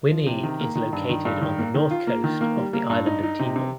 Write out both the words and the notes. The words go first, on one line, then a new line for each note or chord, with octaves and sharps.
Wini is located on the north coast of the island of Timor.
F3
C3
D#3
A#3
D#3
G2
D#3
G2
D#3
A#3
D#3
F4
A#3
D#3
A#3
G3
A#3
G2
D#4
D#4
C3
C3